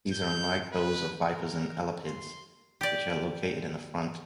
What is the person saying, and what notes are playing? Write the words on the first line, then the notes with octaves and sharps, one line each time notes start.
These are unlike those of vipers and elapids, which are located in the front.
G6
B4
A#4
C6
G4 D5